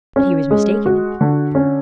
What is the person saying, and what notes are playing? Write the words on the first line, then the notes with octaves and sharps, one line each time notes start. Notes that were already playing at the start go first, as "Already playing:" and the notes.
But he was mistaken.
C#4
G#3
F#4
D3
C#4